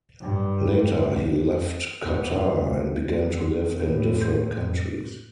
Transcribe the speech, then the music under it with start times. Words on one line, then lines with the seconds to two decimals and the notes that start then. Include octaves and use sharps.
Later he left Qatar and began to live in different countries.
0.21 G2
2.03 E2
3.86 A2